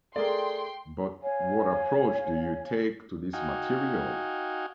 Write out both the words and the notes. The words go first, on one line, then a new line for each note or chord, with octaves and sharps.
But what approach do you take to this material?
A3 G#4 A#4 D5 G5 C6
C#5 F5 G#5
D#4 F#4 F5 G5 G#5